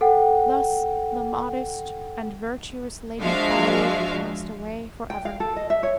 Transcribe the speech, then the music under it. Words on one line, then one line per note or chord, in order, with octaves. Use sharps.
Thus the modest and virtuous Lady Aoi passed away forever.
A4 F#5 G5
F3 G#3 D4 F#4 E5 F5
G5
F5
A4
D#5
E5
C#5